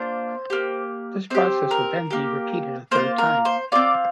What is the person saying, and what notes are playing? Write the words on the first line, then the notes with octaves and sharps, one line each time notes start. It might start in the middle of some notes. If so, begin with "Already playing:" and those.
This process would then be repeated a third time.
Already playing: A#3 D4 F4 C5
A#3 G4
C4 G4 C5
A#4
A#3 G4
A#3 F4 C5
A#4
C5
C4 F4 D5